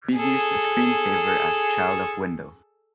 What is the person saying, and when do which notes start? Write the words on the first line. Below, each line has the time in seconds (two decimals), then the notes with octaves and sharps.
Previews the screensaver as child of window.
0.14 G#4 A4